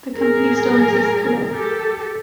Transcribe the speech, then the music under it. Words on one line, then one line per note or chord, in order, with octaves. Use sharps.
The company still exists today.
A2 F#3 G#4 A#4
G4 A4